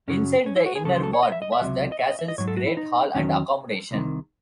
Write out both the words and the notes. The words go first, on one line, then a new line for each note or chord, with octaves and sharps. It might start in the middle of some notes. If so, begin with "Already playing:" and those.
Inside the inner ward was the castle's Great Hall and accommodation.
F#2 C#3 F#3 C#4
C#4
E4
F#4
G#4
C#2 C#3 F#3 A4
C5
A4
C#5
D#5
E5
D#5
E5
C#2 C3 F#3
D#5
E5
D#5
E5
D#5
G#2 F#3 C#5
A4
F#4
E4
D#4
E2 D#3 F#3 C#4
C2 C3 D#3